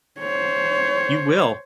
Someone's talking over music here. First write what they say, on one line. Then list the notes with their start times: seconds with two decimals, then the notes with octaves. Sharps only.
you will.
0.19 C5 C#5